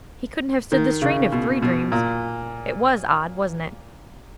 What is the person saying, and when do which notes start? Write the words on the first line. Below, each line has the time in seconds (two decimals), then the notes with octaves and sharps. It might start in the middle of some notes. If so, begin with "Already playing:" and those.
He couldn't have stood the strain of three dreams. It WAS odd, wasn't it?
0.72 D#3
1.02 C#3
1.32 B2
1.62 B2
1.92 A#2